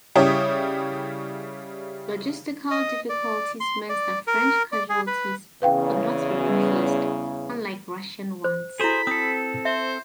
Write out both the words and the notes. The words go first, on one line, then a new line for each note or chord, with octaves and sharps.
Logistical difficulties meant that French casualties could not be replaced, unlike Russian ones.
C#3 G3 E4 C#5 G5 D#6
D#5
D5
C6
D5
A#4
D5
G#4
B4
E2 C#3 B4 F5 G5
G3
C5
E4 F#4 G#4 A4 C5 B5
C4 A4 D#6
C5 E5